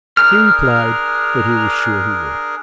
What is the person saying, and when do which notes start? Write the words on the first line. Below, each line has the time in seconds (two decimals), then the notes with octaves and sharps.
He replied that he was sure he would.
0.17 D4 G#4 A#4 F6